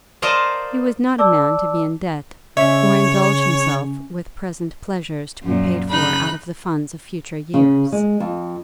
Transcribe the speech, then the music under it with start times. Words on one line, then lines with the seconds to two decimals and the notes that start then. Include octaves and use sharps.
He was not a man to be in debt, or indulge himself with present pleasures to be paid for out of the funds of future years.
0.22 A#4 C5 D5 D#5 F5 A5
1.18 D5 A5 D6 E6
2.57 C#3 C#4 C#5 E5
5.42 F#2 A#2
5.89 C#3 D#4 B5 F#6
7.54 C#3
7.92 G#3
8.20 F2